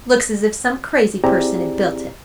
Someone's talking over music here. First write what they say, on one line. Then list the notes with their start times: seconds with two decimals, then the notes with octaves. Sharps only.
Looks as if some crazy person had built it.
1.24 C4 E4 G4 G#4 D5 A#5